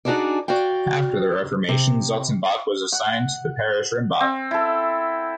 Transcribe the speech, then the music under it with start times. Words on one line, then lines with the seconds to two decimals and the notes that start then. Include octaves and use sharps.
After the reformation, Zotzenbach was assigned to the parish, Rimbach.
0.05 D4 D#4 F#4 G#4 A4 D5
0.48 F#4 D5 F5 G5
1.68 C3
2.93 F#5
4.20 C4
4.51 E4 A4